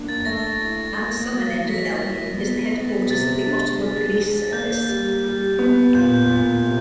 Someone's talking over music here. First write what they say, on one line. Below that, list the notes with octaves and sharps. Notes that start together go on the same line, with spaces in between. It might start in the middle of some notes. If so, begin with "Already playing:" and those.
At the southern end of Elgin is the headquarters of the Ottawa Police Service.
Already playing: A#3 D4
A6
A3 A#6
E4
A#3
F#3
F#3 B6
E4
B3
B3
C3 A6
D4
G#3
G#3
A#3 G6
G3
G3
B3
A#2 G6
A#2
C3